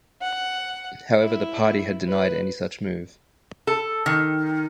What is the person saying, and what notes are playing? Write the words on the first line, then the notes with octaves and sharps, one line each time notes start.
However the party had denied any such move.
F#5
E4
B4
A4
D#3